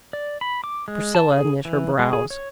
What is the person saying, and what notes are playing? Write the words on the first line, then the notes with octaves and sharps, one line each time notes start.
Priscilla knit her brows.
D5
B5
D6
G#3
A5
G#4
E3
G#3
G#4
C#5